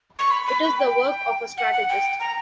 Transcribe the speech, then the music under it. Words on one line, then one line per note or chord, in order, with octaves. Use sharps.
It is the work of a strategist.
C#6
B5
B5
B5
G5
F#5
F#5
G5
A#5